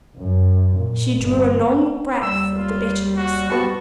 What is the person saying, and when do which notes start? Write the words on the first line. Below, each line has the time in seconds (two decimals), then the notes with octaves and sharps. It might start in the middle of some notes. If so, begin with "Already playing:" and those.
She drew a long breath of the bitterness.
0.17 F#2
0.76 A#2
1.22 G1
2.22 D#2 G3 E6
2.56 F4
3.17 F#4
3.49 G3 B3 F#4 A5 C#6